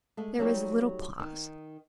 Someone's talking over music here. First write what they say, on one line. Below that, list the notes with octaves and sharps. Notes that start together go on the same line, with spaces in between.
There was a little pause.
G#3 A3
F#3 G3 A3 D#4 F#4 G4
D#3 D#4